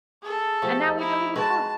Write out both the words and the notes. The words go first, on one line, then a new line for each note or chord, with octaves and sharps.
and now we don't even talk.
G#4 A4
F3 A3 G4
D#4 E4
G#3 F#4 B4 A5